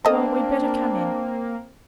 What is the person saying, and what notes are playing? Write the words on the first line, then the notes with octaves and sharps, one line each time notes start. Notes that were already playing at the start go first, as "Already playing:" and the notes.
Well, we'd better come in.
A#3 C4 D4 A4 D#5 A5